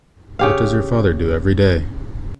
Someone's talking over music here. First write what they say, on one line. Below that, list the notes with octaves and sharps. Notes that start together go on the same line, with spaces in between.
What does your father do every day?
C#3 G4 F5